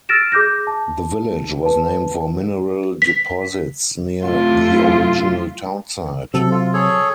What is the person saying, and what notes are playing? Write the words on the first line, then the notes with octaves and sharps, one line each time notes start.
The village was named for mineral deposits near the original town site.
E6 F6 A6 A#6 D7 E7
G#4 D6 G6 A#6
A5
B4 A5
B6
F#2 C3 A3 E4 F4
C3 F#3 A4
F4
G#4 A4 C#5